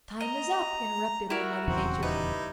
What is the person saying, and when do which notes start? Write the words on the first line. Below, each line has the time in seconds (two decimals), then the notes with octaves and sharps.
"Time is up," interrupted Old Mother Nature.
0.21 D#5 A#5
1.30 E4 F#4 A#4
1.68 D#1 E2 C#3 C4
2.03 G3 D#4 E4 B4